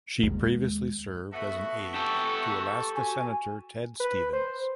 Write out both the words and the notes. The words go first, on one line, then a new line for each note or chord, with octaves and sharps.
She previously served as an aide to Alaska Senator Ted Stevens.
D#2 G#3
A3 B3 F#4 E5
G4 A4 C#6
F#4 G#5
B4
C5